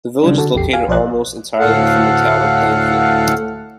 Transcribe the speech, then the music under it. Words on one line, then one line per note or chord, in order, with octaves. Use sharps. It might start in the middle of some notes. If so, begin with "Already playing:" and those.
The village is located almost entirely within the Town of Plainfield.
C#3 F#3 G3 D4
D3 F#4 A4
A1 E2 G4 C7
G4 F5 G#5
B1 F3 C5 D5 D#5 F#6
D2 A2 A4 F5 F#5